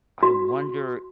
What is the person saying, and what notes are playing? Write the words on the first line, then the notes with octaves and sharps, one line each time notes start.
I wonder
F#4